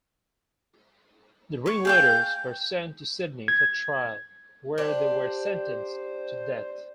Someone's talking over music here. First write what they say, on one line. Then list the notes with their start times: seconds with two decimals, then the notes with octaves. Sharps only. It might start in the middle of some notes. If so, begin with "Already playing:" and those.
The ringleaders were sent to Sydney for trial, where they were sentenced to death.
1.66 C#5 C#6
1.85 G#4 F5 G5 G6
3.48 G#6
4.78 D4 G4 C5